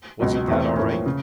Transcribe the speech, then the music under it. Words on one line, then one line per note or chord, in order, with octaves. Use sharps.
"Wasn't that all right?"
C#2 B2 F#3
E2 C3 E3 A3 C4
A2 F3 A#3 C#4
C#3